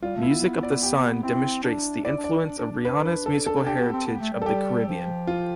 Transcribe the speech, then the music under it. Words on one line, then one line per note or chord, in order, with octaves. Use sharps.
"Music of the Sun" demonstrates the influence of Rihanna's musical heritage of the Caribbean.
G3 F4
A3
E4
B3
D5
G4
C4 E4
D4
E4 D5
D4
D5
E4
D4
D4
D4
D4 B4
B4
A4
A4
D4 G4
B3
C4
B3
A3
G3
A4
G3 G4
F3
F4